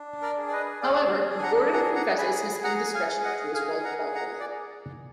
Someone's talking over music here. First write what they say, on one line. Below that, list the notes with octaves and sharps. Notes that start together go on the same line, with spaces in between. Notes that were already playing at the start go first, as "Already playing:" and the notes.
However, Gordon confesses his indiscretion to his wife Barbara.
Already playing: D4
A#4 D5
G#4
D5
B4 D#5
G#4 D5 F5
D4
G#5
F#5 A#5
G#4 F#5 A#5
F#5 A#5
G#4 G#5 B5
G#4 F#5 A#5
F5 G#5
G#4
D#5 F#5
G#4 F5 G#5
F#5 A#5
G#4
F#5 A#5
D5